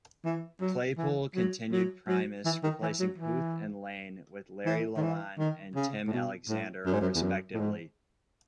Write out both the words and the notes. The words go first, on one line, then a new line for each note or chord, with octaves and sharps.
Claypool continued Primus, replacing Huth and Lane with Larry LaLonde and Tim Alexander, respectively.
E3
F#3
E3
F#3
F#3
F#3
E3
D#3
E3
F#3
E3
E3
D#3
E3
D#3
C#3
A2
B2
A2
F#2
G#2
F#2
E2
F#2
A2
G#2